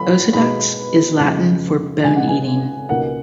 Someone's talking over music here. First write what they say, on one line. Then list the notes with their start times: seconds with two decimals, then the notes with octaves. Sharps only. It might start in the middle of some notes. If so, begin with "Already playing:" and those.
"Osedax" is Latin for "bone-eating".
Already playing: A#2 F#3 B5
0.33 B2 G#3 D#4 B5
1.19 F2 C#3 G#3 D#4
2.03 C#3 F3 G#3 D#4 G#5
2.16 F#5
2.28 G#5
2.89 C#2 B2 A#3 D#4 F#5